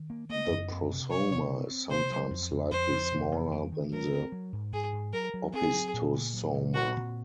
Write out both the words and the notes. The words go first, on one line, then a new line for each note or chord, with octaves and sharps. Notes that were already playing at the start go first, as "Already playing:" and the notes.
The prosoma is sometimes slightly smaller than the opisthosoma.
Already playing: D#3
A#3
A#3 D#5
F#2
C4
C3
F#3 C#5
C3
C4
C4
C3 C5
F#3
F2
F2
F2 C5
F2
C3
F2
D#3
D#3
F#3 A#4
C4
F#3
G#2
G#2 G#4
G#2
F#3 A#4
F#3
C4 G#4
F#3
A#2
A#2
F#3
A#2
A#2 F#4
C4